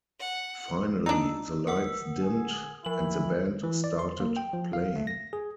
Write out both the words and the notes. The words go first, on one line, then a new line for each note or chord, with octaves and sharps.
Finally, the lights dimmed and the band started playing.
F#5
D4 D#4 E6
A#4 F#5 E6
G#4
F3 E4 F#7
E3
D5
C6
A#3
G5
F3
F5
A3
A#6
G#4